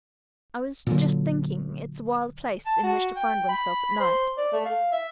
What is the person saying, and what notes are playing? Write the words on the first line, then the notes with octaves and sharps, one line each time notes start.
I was just thinking it's a wild place in which to find one's self at night.
A#2 D3 F#3
A5
F#4
G5
B5
C5
D5
A3
F5
E5